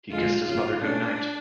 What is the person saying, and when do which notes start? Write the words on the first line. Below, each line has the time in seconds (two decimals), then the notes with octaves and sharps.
He kissed his mother good-night.
0.11 F#1 F2 D3 G#3 F4
0.45 G#1 F#2 C#3 F#3 F4
0.81 B2 A3 C#4 D4